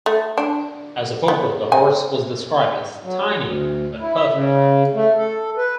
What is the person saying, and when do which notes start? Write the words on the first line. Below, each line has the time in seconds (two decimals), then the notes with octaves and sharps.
As a foal, the horse was described as "tiny but perfect".
0.06 A3
0.38 D4
1.28 B3
1.72 G#5
3.03 F#3
3.41 D2
4.00 E4
4.15 E5
4.32 C#3
4.94 A3
5.18 A4
5.57 B4